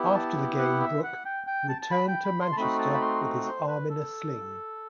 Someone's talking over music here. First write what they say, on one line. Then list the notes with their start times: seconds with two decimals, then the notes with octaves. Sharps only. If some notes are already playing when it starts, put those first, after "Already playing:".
After the game, Brook 'returned to Manchester with his arm in a sling'.
Already playing: B3 E4 G4
0.15 A5
0.59 F#5
0.80 E5
1.04 F#5
1.25 G5
1.47 G5
1.69 A5
1.82 A5
1.91 B5
2.08 G5
2.24 B5
2.41 C6
2.53 A5
2.57 A3 C4 D#4 F#4 B5
2.79 A5
2.94 B5
3.01 C6
3.46 C5
3.68 B4
3.90 A4